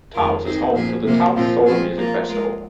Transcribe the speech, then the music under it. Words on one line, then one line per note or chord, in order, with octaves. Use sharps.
Taos is home to the Taos Solar Music Festival.
F2 D#3 G#3 F4 A#4
D#3 C4 D#4 G#4 C5
A#2 F3 A#3 G#4 C5
C3 F3 A#3 G#4 C5
A#2 F3 C4 F4
F3 C4 F4 G#4 C5
F3 A#3 F4
G#3 F4 A#4